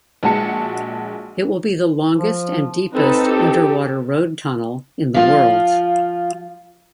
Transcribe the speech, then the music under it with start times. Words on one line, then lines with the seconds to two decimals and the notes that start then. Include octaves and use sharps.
It will be the longest and deepest underwater road tunnel in the world.
0.23 A#1 G#3 F#4 A5 C#7
2.16 F3
2.94 C4 D#4 A4 B4
3.28 G4
5.14 F3 F4